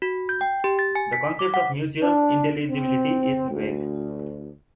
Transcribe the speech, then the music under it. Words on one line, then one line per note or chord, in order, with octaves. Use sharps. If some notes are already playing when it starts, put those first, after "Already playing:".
The concept of mutual intelligibility is vague.
F#4
G6
G5
G4
A6
G#5
B6
D6
F#5
D4
C4
D2